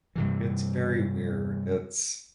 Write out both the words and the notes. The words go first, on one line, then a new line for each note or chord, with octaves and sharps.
it's very weird, it's
G2 C3 E3